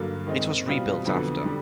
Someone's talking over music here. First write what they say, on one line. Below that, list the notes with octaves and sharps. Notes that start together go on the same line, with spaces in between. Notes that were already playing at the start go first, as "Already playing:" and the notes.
It was rebuilt after.
Already playing: G2 D3 F#3 A#3
D#3 G#3 C4 D#4
B2 G3 C4 F4
F2 D3 F#3 B3
D3 G3